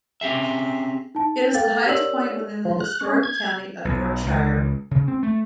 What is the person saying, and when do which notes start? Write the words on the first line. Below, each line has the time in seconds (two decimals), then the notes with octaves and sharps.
It is the highest point within the historic county of Yorkshire.
0.21 C4 C#4 G4 G#4 E5
1.15 D#4 A5
1.54 A4 F5 G5 A6
1.86 G4 A#4 C#5 D5 E6 F#7
2.65 F3
2.80 F#6
3.01 C#4
3.23 G#6
3.85 B1
4.26 C#2
4.91 C#3
5.08 C4
5.23 A3